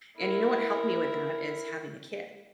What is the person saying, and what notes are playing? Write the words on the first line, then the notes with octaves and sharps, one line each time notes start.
and you know what helped me with that is having a kid.
E4 A#4